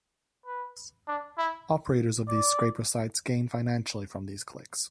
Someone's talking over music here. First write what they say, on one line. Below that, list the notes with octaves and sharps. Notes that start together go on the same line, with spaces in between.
Operators of these scraper sites gain financially from these clicks.
B4
D4
E4
D5